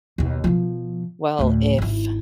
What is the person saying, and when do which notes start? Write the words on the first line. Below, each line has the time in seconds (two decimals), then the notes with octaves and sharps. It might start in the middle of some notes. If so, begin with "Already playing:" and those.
"Well, if,
0.18 D#2 B2
0.44 B2 F3
1.39 D2 A2
1.78 G#1 E4